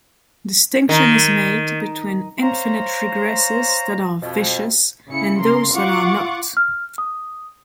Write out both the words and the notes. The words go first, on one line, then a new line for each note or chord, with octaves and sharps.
Distinction is made between infinite regresses that are "vicious" and those that are not.
D#3
C5 C#5 F5 A#5
F2 B2
C#3 E4 C#7
C#3 A#4 C6
F4 F#5 C#6 D6
F6
D#6